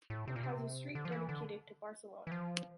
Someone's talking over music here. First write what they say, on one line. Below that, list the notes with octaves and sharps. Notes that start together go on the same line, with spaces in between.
It has a street dedicated to Barcelona.
A2
C3
A#2
C3
D3
F3
E3
D3
E3
F3